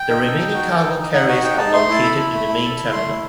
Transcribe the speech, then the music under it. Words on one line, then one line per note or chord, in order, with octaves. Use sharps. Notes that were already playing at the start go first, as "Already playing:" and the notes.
The remaining Cargo Carriers are located in the Main Terminal.
Already playing: G5
D#4
A4
D#4
F#4
A4
D#4
D#4
D#4 F#5
F#4 F#5
D#4 G5
D#4 A5
A3 C6
E4 A5
A4 B5
E4
A3
E4
A4
E4
A3 C6
E4